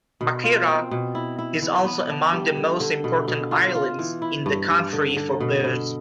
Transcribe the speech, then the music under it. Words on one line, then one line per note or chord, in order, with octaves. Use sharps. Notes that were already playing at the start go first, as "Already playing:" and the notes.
Makira is also among the most important islands in the country for birds.
B2
F4
C4
B2
E4
E4
E3
B3
D4
G3
D3
D3
B2
B2
F4
F4
E3
E4
G2
G2
D3
D3
B2
B2